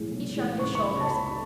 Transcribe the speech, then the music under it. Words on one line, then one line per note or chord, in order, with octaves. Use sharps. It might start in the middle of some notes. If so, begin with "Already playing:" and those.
He shrugged his shoulders.
Already playing: B1 A2 E3 G#3
B1
A2 E3 G#3
C#2 C#6
C#6
C#3 F#3 B5
A5
C#2 B5